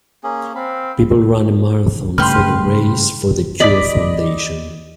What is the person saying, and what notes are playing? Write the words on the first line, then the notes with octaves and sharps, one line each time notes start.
People run a marathon for the Race for the Cure foundation.
A#3 C#4 G#4
C4 F5 B5
G2 C#3 A3 G4 B4 C6 F6
D5 D#5 B5 D6 B6